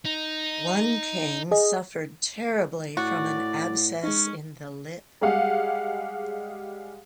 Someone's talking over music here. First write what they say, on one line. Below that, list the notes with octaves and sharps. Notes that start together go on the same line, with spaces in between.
One king suffered terribly from an abscess in the lip.
D#4
G#4 D#5
A2 F#4 D5
G#3 C#4 D#4
G3 G#3 G4 G#4 F5 F#5